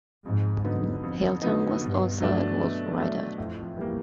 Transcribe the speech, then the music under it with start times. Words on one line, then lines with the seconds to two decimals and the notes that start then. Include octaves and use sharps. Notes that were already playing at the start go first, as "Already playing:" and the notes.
Hilton was also a golf writer.
0.25 F2 G#2
0.64 D3 F#3 B3 D#4
1.03 F2
1.42 D3 F#3 B3 D#4
1.81 G2 B2
2.21 F#3 A3 D4
2.60 B2
2.99 F#3 A3 D4
3.38 F2 A2
3.77 E3 G3 A#3